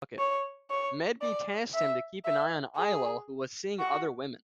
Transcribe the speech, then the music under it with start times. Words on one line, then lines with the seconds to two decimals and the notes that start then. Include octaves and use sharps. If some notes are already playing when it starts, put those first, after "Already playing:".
Medb tasked him to keep an eye on Ailill, who was seeing other women.
0.19 C#5
0.70 C#5
1.21 D5
1.74 E5
2.25 E5
2.76 G#4
3.79 F#4